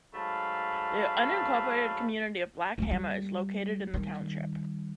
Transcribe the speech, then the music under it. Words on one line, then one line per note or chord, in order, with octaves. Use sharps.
The unincorporated community of Black Hammer is located in the township.
G#2 F#3 A3 F5 A5 B5
C#2 A3
G3
D#3 G3